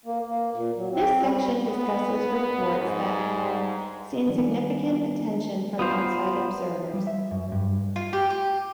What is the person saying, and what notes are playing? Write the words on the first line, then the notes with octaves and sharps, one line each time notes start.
This section discusses reports that have seen significant attention from outside observers.
A#3
A#3
A#2
F#3
C4
G3
B3
G#2
D#3 F3 G3 B3 C#4 D4
B3 F4 C5
G3
E5
F#2
G2
F4
G4
G4